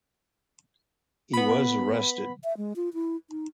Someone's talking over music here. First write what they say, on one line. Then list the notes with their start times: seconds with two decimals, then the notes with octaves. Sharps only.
He was arrested.
1.33 B3 B5
2.44 E5
2.57 G#3
2.76 F4
2.94 E4
3.30 D#4